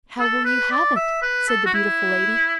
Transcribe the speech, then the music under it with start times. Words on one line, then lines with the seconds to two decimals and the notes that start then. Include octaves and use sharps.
"How will you have it?" said the beautiful lady.
0.20 A4
0.45 B4
0.71 D5
0.96 E5
1.22 B4
1.48 A4
1.66 F#4
1.74 E4